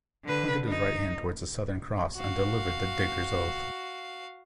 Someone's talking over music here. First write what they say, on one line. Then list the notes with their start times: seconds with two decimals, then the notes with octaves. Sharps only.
He pointed his right hand towards the Southern Cross and delivered the diggers oath.
0.25 D3 B4
0.67 D#4
2.15 F#4 F5